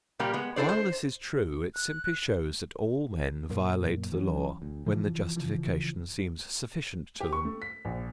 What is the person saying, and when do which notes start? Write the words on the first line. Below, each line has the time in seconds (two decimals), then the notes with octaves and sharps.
While this is true, it simply shows that all men violate the law when the justification seems sufficient to them.
0.19 A#2 G3 A#3 G4
0.34 G#3 B3
0.56 D4 E4 A4 C5 D5
0.69 C5
1.75 F#6
3.50 F#2 A#2 A#3
4.12 E3 F#3 A3 C#4
4.62 D2
4.86 C3 E3 F3
5.36 C#3 E3 F3
7.20 G4
7.33 C#6
7.45 A3
7.62 B6
7.85 A#1